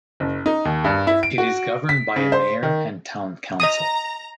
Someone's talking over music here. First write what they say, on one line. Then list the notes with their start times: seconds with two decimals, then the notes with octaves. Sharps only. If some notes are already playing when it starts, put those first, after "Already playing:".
It is governed by a mayor and town council.
0.20 F#1
0.46 D#4
0.65 D#2
0.84 G2
1.07 E4
1.23 D7
1.38 F#4
1.89 B6
2.16 C#3
2.32 C5
2.63 D#3
3.60 D#5 A#5 D#6